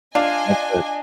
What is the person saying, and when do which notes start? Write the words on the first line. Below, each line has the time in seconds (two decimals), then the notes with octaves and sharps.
and for
0.15 D4 F4 D#5 G#5